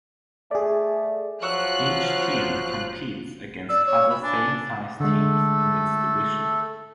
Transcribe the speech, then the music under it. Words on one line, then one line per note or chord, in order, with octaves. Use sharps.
Each team competes against other same-sized teams in its division.
A3 G#4 D5
F3 F#3 C#6 E6 F#6
D5 E6
C#5
B5
D4 G#5
D3 G#3 A3 A4